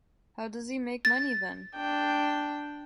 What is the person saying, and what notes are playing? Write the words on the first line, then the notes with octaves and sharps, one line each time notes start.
How does he make money then?
A6
D4 G5